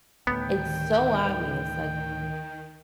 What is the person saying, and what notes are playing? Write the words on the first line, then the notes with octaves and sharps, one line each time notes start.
it's so obvious, like,
D2 A2 D#3 B3 G5